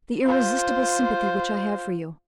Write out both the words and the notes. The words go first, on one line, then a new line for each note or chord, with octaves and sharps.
"The irresistible sympathy which I have for you."
F4 C5